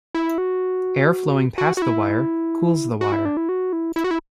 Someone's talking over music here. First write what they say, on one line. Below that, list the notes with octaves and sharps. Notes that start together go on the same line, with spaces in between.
Air flowing past the wire cools the wire.
E4
F#4
F#4
F#4
E4
F#4
E4
D4
E4
F#4
E4
E4
F#4
E4